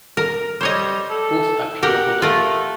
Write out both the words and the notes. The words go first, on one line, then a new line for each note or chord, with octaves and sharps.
Both appear below.
A#4
G3 C5 C#5 D#5
A4
G4 A#4 F#5
A3 F4 A#4